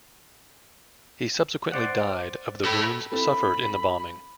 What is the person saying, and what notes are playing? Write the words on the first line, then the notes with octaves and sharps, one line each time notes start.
He subsequently died of the wounds suffered in the bombing.
C5 D5 F#5
A4 B5
C4 E4 A4 B5